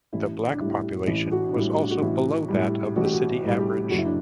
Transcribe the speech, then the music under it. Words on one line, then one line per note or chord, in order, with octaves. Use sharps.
The black population was also below that of the city average.
A1 E4
D4
A2 G3 E4
A1 E4
F#4
D4
A2 G3 E4
D4
F#4
A1 E4
A2 G3
A1 F#4
G4
F#4
A2 G3
G4
F#1 F#4
E4
D4